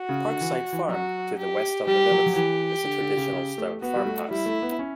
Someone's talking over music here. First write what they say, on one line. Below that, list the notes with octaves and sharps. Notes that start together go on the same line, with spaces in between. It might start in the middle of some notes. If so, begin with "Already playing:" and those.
Parkside Farm to the west of the village is a traditional stone farmhouse.
Already playing: F#4
C#3
D3
E3
E3
F#3 F#4
G4
G3 G4
F#3
F#3
E3 G4
D3
D3
C#3
C#3
A3
B3 F#4
G3
A3
G3 E4
A3
B3
C#4